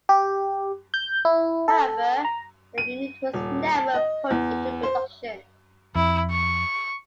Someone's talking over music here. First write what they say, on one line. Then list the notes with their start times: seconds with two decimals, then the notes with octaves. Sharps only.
However the unit was never put into production.
0.09 G4
0.94 G6
1.25 E4
1.68 A4
2.25 A#5
2.78 D#7
3.33 D#1
3.75 A5
3.94 D#5
4.31 E2
4.83 C5
5.95 F2 E4
6.31 C#6